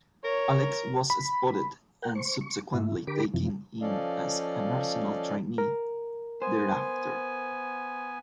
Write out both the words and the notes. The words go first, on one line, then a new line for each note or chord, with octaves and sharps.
Alex was spotted and subsequently taken in as an Arsenal trainee thereafter.
A#4 C#5
B5
A#4 F#5 G5
C5 C#6
C#6
G#2 E4
D3 G4 A#4 B5 D6
F#2 C3 E3 F3
F3 C#4 A4 D5 D#5 F5
A#4
B3 C5 G#5